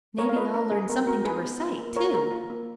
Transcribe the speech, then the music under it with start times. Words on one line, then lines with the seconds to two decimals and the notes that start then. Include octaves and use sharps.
"May be I'll learn something to recite, too."
0.18 G#3 A#4 C#5
0.29 F5
0.36 F4 B4 D#5
0.54 C#4 A#4
0.72 G#3 G#4
0.89 B3 A#4
1.07 F#4 A#4
1.25 D#4 G#4 B4
1.43 B3
1.60 F4
1.78 A#3
1.96 F4 A#4 C#5
2.14 A#3 A#4
2.32 F4
2.50 A#3